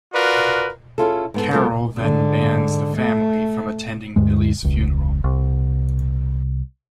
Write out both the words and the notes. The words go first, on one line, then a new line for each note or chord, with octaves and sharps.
Carol then bans the family from attending Billie's funeral.
F4 F#4 A#4 B4 D5
C#4 D4 E4 F4 G#4 A4
G#2 B3 A4
F#3 G#3 B3 F4 A4 A#4
G#2 D3
A3
D2 G2 G#3
E1 C#2
C2